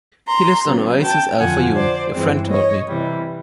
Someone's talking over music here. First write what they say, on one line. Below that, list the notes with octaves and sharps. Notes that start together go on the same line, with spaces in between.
He lives on Oasis Al-Fayoum, your friend told me.
A#5 C6
C#3 F#3 B3
G5 A5
F2 D3 F3 F#5 G#5
C5 D5
G2 E3 G#3 C4
C#5 D#5
C3 E3 G3